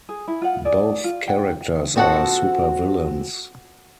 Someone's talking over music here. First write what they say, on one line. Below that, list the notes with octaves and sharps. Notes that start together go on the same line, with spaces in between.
Both characters are supervillains.
G#4
E4
F4 F5 F#5
G#4 D5
F4
F#5 G5
F3 C4 F#4 A4 F#5